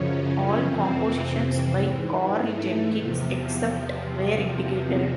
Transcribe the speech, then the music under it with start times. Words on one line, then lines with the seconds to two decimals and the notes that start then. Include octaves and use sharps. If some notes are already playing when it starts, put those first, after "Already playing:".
All compositions by Karl Jenkins except where indicated.
Already playing: F#2 C#3 F3 C#4
0.66 F2 C3 E3 C4
1.81 G#2 E3
2.39 A3
2.97 E2 C3 F3